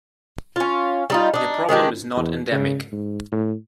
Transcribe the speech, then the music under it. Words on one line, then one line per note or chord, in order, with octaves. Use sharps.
The problem is not endemic.
C#4 F4
G3 D#4 F4
D4 D#4
D#3 G#3 D4 G4
E2
C#3
G#2
A2